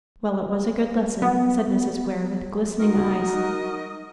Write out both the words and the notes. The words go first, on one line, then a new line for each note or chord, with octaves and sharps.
"Well, it was a good lesson," said Mrs. Ware, with glistening eyes.
B3
D#4 F#4 A#4 D#5